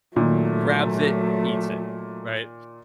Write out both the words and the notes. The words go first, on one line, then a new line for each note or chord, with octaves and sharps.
grabs it, eats it, right
A#2 D#3 F#3 A3